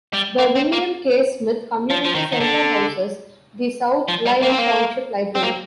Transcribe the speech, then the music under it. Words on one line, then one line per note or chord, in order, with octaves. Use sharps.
The William K. Smith Community Center houses the South Lyon Township Library.
G3
A#3
C4
A#3
F3
F3
D#3
D#3
D3
F3
G3
A#3
C4
A#3
C4
A#3